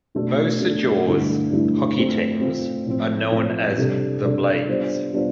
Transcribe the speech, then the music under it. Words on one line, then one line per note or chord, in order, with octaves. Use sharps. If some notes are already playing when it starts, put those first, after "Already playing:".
Beausejour's hockey teams are known as the Blades.
B2 A3 D4 A4
B2 A3 D4 A4
G2 D3 A3 E4
G2 D3 A3 E4
A3 C4 F4
A3 C4 F4
A2 F3 C4
A2 F3 C4
C3 G3 D4 A4
C3 G3 D4 A4
G3 B3 D4 F4 C5
G3 B3 D4 F4 C5